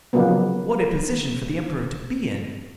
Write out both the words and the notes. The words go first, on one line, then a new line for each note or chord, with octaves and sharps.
What a position for the Emperor to be in!
C#3 F3 F#3 A#3 B3